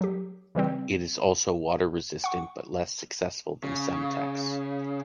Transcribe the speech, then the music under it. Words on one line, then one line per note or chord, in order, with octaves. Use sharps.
It is also water resistant, but less successfully than Semtex.
F#3 G4
C#3 E3 G3 C4
F#5 C#6
C#3